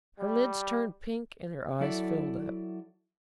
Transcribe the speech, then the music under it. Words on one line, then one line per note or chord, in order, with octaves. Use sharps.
Her lids turned pink and her eyes filled up.
G3
F#3 E4 A4 D5 E5